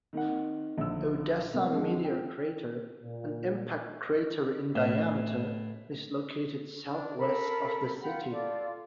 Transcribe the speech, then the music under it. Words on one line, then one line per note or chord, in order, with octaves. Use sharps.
Odessa Meteor Crater, an impact crater in diameter, is located southwest of the city.
D#3 A#3 C4 F#5
A#1 D3 E6
C3 A#3 B3
F2 D3 F3 G#3
G5
A#2
A2
D4
A4 A#4 B5
F4 F#5 G5 B5
F4 A4 D5